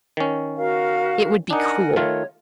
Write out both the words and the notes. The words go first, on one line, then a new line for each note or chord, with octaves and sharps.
It would be cruel.'
D#3 C#4
F#4 A#4 F5
D4 D#4 A#4 F#5 G#5
D#3 A3 F4 C#5